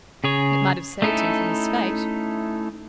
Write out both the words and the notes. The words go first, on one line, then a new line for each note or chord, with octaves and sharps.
"It might have saved him from his fate."
C#3 G#4 C#5
A3 C#4 D#4 E4 A4